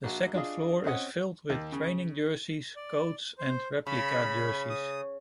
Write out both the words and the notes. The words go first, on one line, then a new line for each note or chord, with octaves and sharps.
The second floor is filled with training jerseys, coats, and replica jerseys.
A#1 F#4
D4 F4 G#4 D#5
C4 C#4 D#5 F#5
D#2
C#3
D5
C5
C#3 B5
D#6